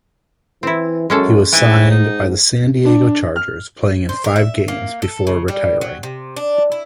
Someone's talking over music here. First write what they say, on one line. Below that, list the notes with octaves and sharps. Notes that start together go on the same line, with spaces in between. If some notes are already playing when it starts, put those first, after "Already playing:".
He was signed by the San Diego Chargers, playing in five games before retiring.
E3 C4 E4
F#2 G#3 C#4 A4
G#2 E3 G5
D#4
D4
F6
C5
A#4
E5
A#3
A4
C#3
G3
F#3
C3
D4
E4